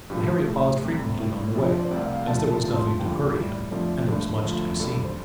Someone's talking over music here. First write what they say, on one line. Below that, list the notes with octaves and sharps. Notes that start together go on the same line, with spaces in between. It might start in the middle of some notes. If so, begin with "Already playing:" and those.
But Harry paused frequently on the way, as there was nothing to hurry him, and there was much to be seen.
G2 F3 A3 G4
A2 A3
D2 C3 G3
A2 A3
F2 D3 F3 A4
C5
D5
C5
C2 C3 A3 D5
F5
F5
D2 D3 F3 A3 A5
A5
A5
F2 F3 A3 A5
C6
A5
D2 D3 F3 G5
A2 G3
F2 D3 F3 A3 D5
G2 D3 A3
D2 D3 F3 A3
G2 G3 A4
A4
C5